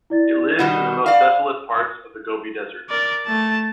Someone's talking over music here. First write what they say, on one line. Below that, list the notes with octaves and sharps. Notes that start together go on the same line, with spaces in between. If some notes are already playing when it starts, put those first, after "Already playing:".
It lives in the most desolate parts of the Gobi Desert.
E4 D5 A6
B2 D#3 G3 F#5 B5 E7
D5 F5
A#4 D5
A3 A5